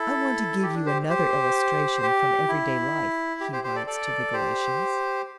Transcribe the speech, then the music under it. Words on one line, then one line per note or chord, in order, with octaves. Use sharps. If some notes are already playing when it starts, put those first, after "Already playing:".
"I want to give you another illustration from everyday life," he writes to the Galatians.
Already playing: E4 A4
G4
D4
G4 C5
G4 C5
G4
E4
G4
G4 C5
G4 C5
A4 D5
A4 D5
G4 C5